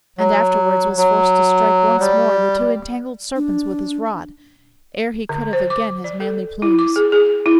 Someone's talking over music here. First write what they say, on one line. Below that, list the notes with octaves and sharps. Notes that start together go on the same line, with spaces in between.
And afterwards was forced to strike once more The two entangled serpents with his rod, Ere he could have again his manly plumes.
F#3
F#3
G3
D4
D3
C5
D6
D5
A4
E4
D6
G#4
G#4
E4